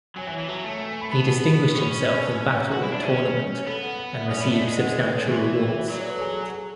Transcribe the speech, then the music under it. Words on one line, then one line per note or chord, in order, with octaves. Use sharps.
He distinguished himself in battle and tournament, and received substantial rewards.
F#3 G#5
E3 G#5
E3 E5
F#3 A5
A3 A5
G#5
G#5
B5
B3 B5
A5
B5
C#6
C#4 B5
C#6
B5
G#5
A5
F#5
E5
F#4 F#5
E4 E5
D4 D5
C#4 C#5
C#5
B4
B3 A4
F#5
F#5
E5
C#4 D5
B3
D5
A3
G#3 D5
G#5
F#5
D5
B4
A4
E3 G#4
F#4
F#3 D5
C#5
B4
A4
G#4
G#4
A4